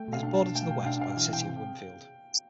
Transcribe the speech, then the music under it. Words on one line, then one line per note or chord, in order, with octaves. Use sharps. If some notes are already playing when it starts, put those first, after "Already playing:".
It is bordered to the west by the city of Winfield.
Already playing: A3 G5
B2 F5
D4
A5
B2
A3 G5
B2 G5
D4 F5
B2 F5
E3 G5
C3 G5